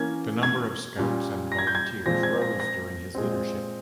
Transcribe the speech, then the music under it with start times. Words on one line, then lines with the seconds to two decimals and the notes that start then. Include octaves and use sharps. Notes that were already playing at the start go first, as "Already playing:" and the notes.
The number of Scouts and volunteers rose during his leadership.
Already playing: E3 A#3 C#4 G#6
0.43 G#6
0.97 A#2 G3 C#4
1.52 A#6
1.59 G#6
1.67 G6
1.75 G#6
2.06 A#2 F3 G#3 C4 A#6
2.23 G#6
2.42 A#6
2.60 A#6
3.15 A#2 G#3 C4